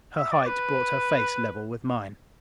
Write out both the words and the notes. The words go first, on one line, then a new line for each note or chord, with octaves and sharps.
Her height brought her face level with mine.
E5
D5
B4